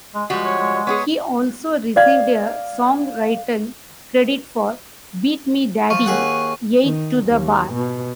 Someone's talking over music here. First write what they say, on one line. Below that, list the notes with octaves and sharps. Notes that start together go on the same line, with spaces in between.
He also received a songwriting credit for "Beat Me Daddy, Eight to the Bar".
G#3
F3 G3 G#3 F#4
C#5
G#3
G#3
B3 G4 G#4 C#5
D5 F5 G#6
F3 C#6
D#2 G#4 F#5
D#3
D#2
B2